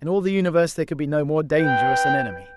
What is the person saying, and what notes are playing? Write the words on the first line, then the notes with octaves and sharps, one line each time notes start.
In all the universe there could be no more dangerous an enemy.
B4 G5